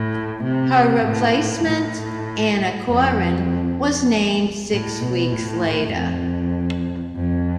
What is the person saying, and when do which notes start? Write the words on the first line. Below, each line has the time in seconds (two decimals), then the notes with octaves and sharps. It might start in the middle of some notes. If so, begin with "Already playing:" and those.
Her replacement, Anna Coren, was named six weeks later.
Already playing: A2
0.44 C3
1.04 A2
1.66 A2
2.88 F2
4.71 A2
5.01 B2
5.32 A2
5.93 F2
7.16 F2